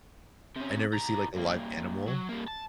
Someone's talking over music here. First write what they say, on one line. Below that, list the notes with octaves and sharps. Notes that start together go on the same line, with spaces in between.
I never see, like, a live animal.
C3 C#4
C2 A#5
G2 A#3
F#3
G3 A#3
A5